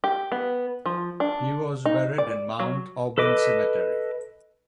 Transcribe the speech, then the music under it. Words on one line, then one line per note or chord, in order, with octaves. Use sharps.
He was buried in Mount Auburn Cemetery.
G4
B3
F3
D4
D#4
D5
F#3
A4 B4 D#5 D6